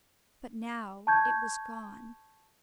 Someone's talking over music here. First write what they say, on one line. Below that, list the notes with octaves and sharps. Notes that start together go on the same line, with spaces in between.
But now it was gone.
A5 C#6 G6 G#6